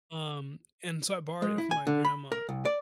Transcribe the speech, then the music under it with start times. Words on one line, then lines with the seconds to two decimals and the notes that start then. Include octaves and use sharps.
um, and so, I borrowed it from my grandma,
1.42 G#3
1.58 E4
1.71 G#5
1.87 D3
2.05 B5
2.32 A#4
2.49 C2
2.65 D5